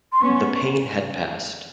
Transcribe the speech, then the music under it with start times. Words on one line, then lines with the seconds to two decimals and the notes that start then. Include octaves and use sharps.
The pain had passed.
0.12 C6
0.21 B3 C#4 C#6